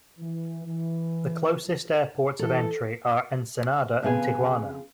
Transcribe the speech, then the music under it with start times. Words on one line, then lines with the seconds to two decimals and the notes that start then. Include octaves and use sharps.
The closest airports of entry are Ensenada and Tijuana.
0.19 E3
0.66 E3
2.39 E3 A4
4.02 F2 C#3 B3 G#4 G#5